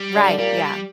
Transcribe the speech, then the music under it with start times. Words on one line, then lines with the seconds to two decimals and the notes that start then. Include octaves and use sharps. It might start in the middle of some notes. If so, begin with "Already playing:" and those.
Right, yeah.
Already playing: G3
0.15 D3
0.38 A#2 G3